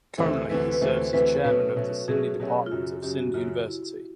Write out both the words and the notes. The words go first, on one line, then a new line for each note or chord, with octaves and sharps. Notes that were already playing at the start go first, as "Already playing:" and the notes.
Currently he serves as Chairman of Sindhi department of Sindh university.
D2 C3 E3 A3 C5
D2 C3 E3 A3 B4
B4
D2 C3 E3 A3 C5
D2 C3 E3 A3 B4
B2 F#3 A3 C#4 B4
B2 F#3 A3 C#4
B2 F#3 A3 C#4 G#4
B2 F#3 A3 C#4 G4
F4
F#2 C#3 F#3 F#4
F#2 C#3 F#3 G4
F#4
F#2 C#3 F#3 F4
E4